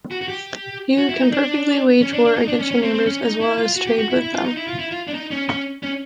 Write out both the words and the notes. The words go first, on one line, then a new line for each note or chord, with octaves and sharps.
You can perfectly wage war against your neighbors as well as trade with them.
F#4
F#4
G4
F#4
E4
D#4
D4
C#4
D4
D4
D#4
D4
C#4
C#4
C4
C4
C#4
D#4
E4
F4
F#4
G4
F#4
E4
E4
F4
D#4
E4
F4
E4
F4
D4
D#4
C#4
C#4
C#4